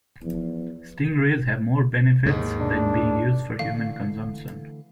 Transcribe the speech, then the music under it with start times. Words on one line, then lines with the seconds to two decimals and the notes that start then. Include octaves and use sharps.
Stingrays have more benefits than being used for human consumption.
0.22 E2 F3
2.26 D#2 G#2
2.60 D4
3.59 D3 E3 A3 F5